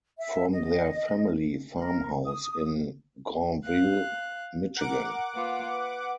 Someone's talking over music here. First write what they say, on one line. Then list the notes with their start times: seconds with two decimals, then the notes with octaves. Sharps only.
From their family farmhouse in Grandville, Michigan.
0.19 E5
0.52 D#5
1.78 A#4
2.24 D#6
3.64 F5 F#6
4.76 A#4 F#5 D6
5.34 A#3 F4 B4
5.68 B4